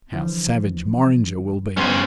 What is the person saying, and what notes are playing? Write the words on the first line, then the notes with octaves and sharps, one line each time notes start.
How savage Morringer will be!
D3 E3 F3
G2 G3 B3 C#4 C5 F#5 A6